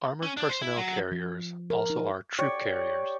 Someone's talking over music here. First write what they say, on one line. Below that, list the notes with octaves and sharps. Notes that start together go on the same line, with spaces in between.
Armoured personnel carriers also are troop carriers.
C#4
D4
C5
E4
F#3
F3
A#4
D#4
G4 C#5 D5